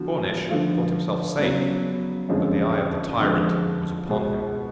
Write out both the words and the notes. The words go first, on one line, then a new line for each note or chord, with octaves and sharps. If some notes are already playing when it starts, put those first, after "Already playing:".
Cornish thought himself safe; but the eye of the tyrant was upon him.
Already playing: D3 F3 B3 F#4
D3 F3 A3 F4
C#3 F#3 B3
F2 D3 F3 G#3 C#4
F2 D3 F3 G#3
B2 G#3 B3